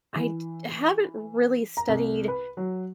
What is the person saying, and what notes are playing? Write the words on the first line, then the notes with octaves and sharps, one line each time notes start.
I d haven't really studied
E3
A#5
C2
B4
F#3